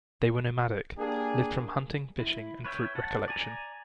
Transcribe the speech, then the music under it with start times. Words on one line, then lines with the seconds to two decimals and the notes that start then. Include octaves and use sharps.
They were nomadic, lived from hunting, fishing and fruit recollection.
0.98 A#3 D4 G4 G#4
2.19 E4
2.64 B4 C#5 E5 G5
2.95 F#5 A5
3.28 D5 G#5 A#5